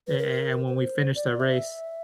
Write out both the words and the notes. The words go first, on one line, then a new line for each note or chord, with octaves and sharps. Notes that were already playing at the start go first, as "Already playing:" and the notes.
a a and when we finished that race,
B4
A#4
C5
D5
E5